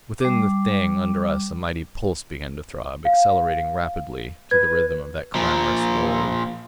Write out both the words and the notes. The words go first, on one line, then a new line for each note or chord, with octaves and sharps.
Within the Thing under us a mighty pulse began to throb, accelerating rapidly to the rhythm of that clamorous roll.
G3 D6
F5
B4 G#6
A#2 F3